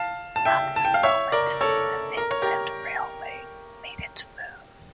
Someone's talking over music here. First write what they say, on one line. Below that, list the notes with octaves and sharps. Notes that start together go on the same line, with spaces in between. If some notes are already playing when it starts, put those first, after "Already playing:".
At this moment the Midland Railway made its move.
Already playing: F5 A5
A5
E5 G5
A5
G5
F5
C#5 E5
A#4 D5
A4 C#5
A#4
C#5
G4 A#4